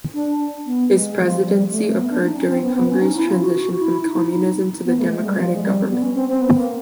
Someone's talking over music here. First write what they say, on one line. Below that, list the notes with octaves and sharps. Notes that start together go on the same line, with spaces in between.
His presidency occurred during Hungary's transition from Communism to democratic government.
D4
B3
G#3
F3
G3
A3
A3
B3
D4
D#4
C#4
C4
B3
C4
B3
C#4
D#4
E4
F4
F#4
F#4
F#4
E4
D#4
E4
D#4
B3
A3
G#3
G3
F3
G#3
G3
B3
C#4
C4
C4
B3
A#3